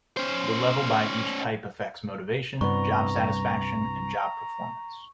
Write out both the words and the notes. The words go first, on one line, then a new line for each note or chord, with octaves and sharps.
The level by each type affects motivation, job satisfaction, and job performance.
C#4 C5
C2 G2 B3 A#5 C#6